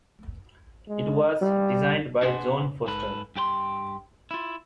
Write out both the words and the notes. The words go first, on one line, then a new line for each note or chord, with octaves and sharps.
It was designed by John Foster.
G#3
G3
D4 G#4 B4 C5 F#5 G#5
G#2 A4 B4
G2 G4 B4 C6
E4 F4